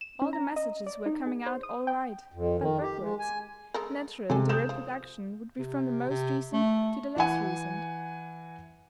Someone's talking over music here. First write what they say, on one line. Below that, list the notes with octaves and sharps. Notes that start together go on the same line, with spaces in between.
All the messages were coming out all right, but backwards. Naturally the reproduction would be from the most recent to the less recent.
E7
C#4
A#5
D#5
D5
D#4
G#4
C5
D#6
G5
F2
D#3
G4
G#3
G#5
G#3 A4 A#4
C3 G#3 C4 A4 G#5
C4 A4 D#6 G6 E7
F3
C3
C3
A3
E3 F#5 G#5